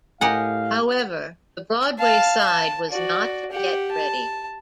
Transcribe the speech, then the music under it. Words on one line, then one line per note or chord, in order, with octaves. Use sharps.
However, the Broadway side was not yet ready.
A2 G4 A#4 D#5 F5 F#5 G#5
F5 A5
A5
F#4 D5
G4 F#5
A5